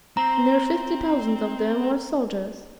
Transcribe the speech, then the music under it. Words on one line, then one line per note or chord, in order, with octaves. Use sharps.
Near fifty thousand of them were soldiers.
C4 A#5